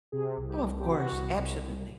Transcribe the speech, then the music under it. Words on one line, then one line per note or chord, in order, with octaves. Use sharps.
Oh, of course, absolutely.
C3 G#4
C2
G4
C2
G4
C3 F#4
C2
C2
C2